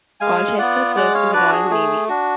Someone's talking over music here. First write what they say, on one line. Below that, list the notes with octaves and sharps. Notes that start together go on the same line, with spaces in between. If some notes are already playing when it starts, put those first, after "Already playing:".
Colchester served in the Royal Navy.
G#3 F5 G#5
B3 F4 D5 F#5
G#3 D5 F#5
C#5 F5
D4 F#4 B4 D5
G#4
A3 G#4
D4 F#4